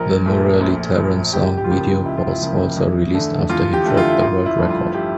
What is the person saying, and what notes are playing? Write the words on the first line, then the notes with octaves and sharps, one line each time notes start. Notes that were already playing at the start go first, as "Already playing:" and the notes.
The Muralitharan Song video was also released after he broke the world record.
Already playing: A#1 A#4
A#2 A3
A#1
A#2 A3
C#2 G4
G4
F4
C#3 F3 A#3 G4
C#2 E4
F4
E4
C#3 F3 A#3
E2
D3 A3
E2 F4
G4
D3 A3
E4
F4
E4
A1 F4
E4
G2 F3 A3
F4
G4